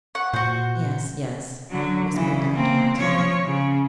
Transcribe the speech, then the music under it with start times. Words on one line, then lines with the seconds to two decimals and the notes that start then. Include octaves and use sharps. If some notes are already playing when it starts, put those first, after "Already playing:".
"Yes, yes," whispered Dr. Martineau.
0.15 F#5 C#6
0.33 A#2 F#4 C5
1.70 D3 F#3
2.15 C#3 E3
2.52 A#3 C4
2.97 F3 C#5
3.45 C#3